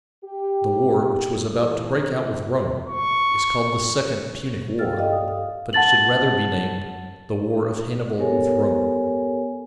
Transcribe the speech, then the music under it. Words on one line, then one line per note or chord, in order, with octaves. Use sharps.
The war which was about to break out with Rome is called the second Punic war, but it should rather be named the war of Hannibal with Rome.
G4
E3 A4
C#6
G2 F5 G5 E6 F6 A6
G4 A4 D5 D#5 F5 G5
D#6
F5
F#5 A5 A6 F#7
B3 G4 A4 A#4 C#5 G#5